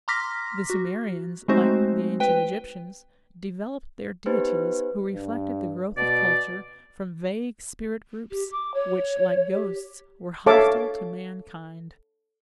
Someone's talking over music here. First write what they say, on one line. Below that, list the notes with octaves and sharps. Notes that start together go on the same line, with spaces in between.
The Sumerians, like the Ancient Egyptians, developed their deities, who reflected the growth of culture, from vague spirit groups, which, like ghosts, were hostile to mankind.
A#5 C6 D6 F6 A#6 B6
F#4
G#3 A3 C4 D#4 F#4 C5
B4 G5
B3 D#4 G4 B4 C5
G2
B2 D5
G4
D6
C#5
G4
A4 C#5 E5 F5 A5 D6